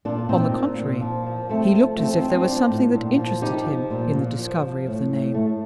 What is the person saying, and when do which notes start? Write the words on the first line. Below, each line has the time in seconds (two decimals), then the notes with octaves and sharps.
On the contrary, he looked as if there was something that interested him in the discovery of the name.
0.05 A#2 D4 F4
0.29 A#2 C4 D#4
0.53 A#2
0.78 A#2
1.01 F3
1.26 F3
1.49 F3 A3 C4
1.74 F3
1.97 F3 A3 C4
2.13 C4 D#4
2.21 F3
2.30 C4 D#4
2.45 F3 D4 F4
2.70 A2
2.94 A#2
3.17 F3
3.41 F3 D#4 G4
3.66 F3
3.90 A#2
4.14 A#2
4.39 F3
4.62 F3
4.87 A2
5.11 A2
5.34 A2 A3